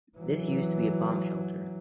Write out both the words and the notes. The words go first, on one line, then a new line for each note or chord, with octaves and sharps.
This used to be a bomb shelter.
E3 F#3